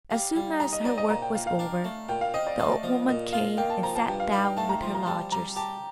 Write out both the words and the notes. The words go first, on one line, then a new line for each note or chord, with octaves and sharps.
As soon as her work was over the old woman came and sat down with her lodgers.
G3 F5
G3
D#4 A#5
D#5
C4 D5
D#5
A#2 A#5
G5
A#2 F5
F5
D4
A3
A#2 G5
F5
C4 D#5
D5
A3
F3
A#2 D#5
F4 F5
A#3 G5
A5
F3 A#5
A5
G2 G5
F5
D#4 F5
G5
A3 A5
A#5
F3 C6
A#5
G3 A5
G3 A#5
G4 A5